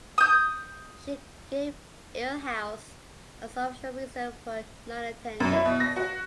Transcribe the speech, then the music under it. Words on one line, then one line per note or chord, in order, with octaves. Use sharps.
She gave ill health as the official reason for her non-attendance.
D#6 G6
F#2
E4
B2
A#6
F#4